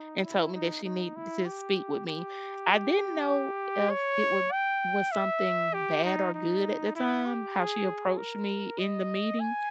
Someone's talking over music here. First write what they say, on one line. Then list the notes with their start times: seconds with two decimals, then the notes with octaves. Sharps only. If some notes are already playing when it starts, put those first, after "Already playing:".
and told me that she needed to speak with me. I didn't know if it would was something bad or good at the time, how she approached me in the meeting,
Already playing: D#4
0.24 E4
0.55 D#4
0.84 D#4
1.16 E4
1.45 G4
2.07 G4
3.90 C#5
4.52 G5
5.12 E5
5.74 G4
6.04 D#4
6.34 D#4
6.95 E4
7.26 G4
7.57 G#4
8.18 A#4
8.79 D#5
9.40 G#5